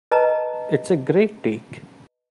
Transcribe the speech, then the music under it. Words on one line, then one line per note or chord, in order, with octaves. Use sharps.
It's a great take.
B4 D#5 A5 A#5